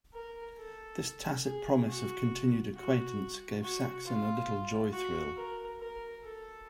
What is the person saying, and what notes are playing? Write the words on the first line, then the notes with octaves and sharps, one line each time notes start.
This tacit promise of continued acquaintance gave Saxon a little joy-thrill.
A#4
A4
G#4
F#4
F#4
F#4
F4
F#4
A#4
A#4
A4